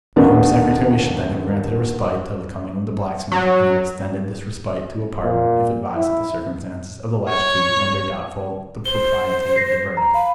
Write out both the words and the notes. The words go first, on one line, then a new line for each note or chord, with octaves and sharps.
The Home Secretary should then have granted a respite till the coming of the blacksmith, and have extended this respite to a pardon, if advised that the circumstances of the latch-key rendered doubtful the propriety of the verdict.
D#2 D#3 A3 B3 D4 A#4
F#3
A#2
E4
C#5
C5 G7
A#6 C7
A#5
F5 B5